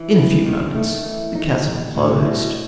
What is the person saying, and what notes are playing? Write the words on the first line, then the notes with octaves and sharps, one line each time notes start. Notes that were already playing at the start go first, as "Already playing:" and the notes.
In a few moments the chasm closed.
Already playing: E3
B3
D#3
A3
E3
D#4
G3
A2
B2